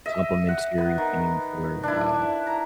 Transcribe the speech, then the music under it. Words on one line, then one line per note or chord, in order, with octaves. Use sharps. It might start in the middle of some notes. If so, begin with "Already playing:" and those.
complimentary things or, uh,
D#5 E5
F#5
B3
D#3
D4 E4
A#5